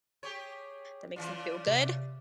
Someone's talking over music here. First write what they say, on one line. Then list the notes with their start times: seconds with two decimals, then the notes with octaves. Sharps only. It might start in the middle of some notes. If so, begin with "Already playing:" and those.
that makes them feel good.
0.23 G4 G#4 C#5
1.16 C#3 E3 F4 D5
1.67 C3